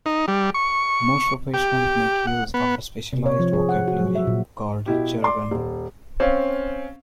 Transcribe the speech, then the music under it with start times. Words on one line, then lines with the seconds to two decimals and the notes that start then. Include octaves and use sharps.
Most professionals make use of a specialised vocabulary called jargon.
0.06 D#4
0.28 G3
0.54 C#6
1.54 G4
2.27 F#5
2.54 B3
3.13 C3
3.26 C#5
3.40 F3
3.53 G#4
3.69 F#5
3.88 F#4
4.00 F#3
4.15 E5
4.27 A#2
4.86 B2 E4 G4
5.22 D5 C6 D6
5.51 D#1
6.20 C4 C#4 F5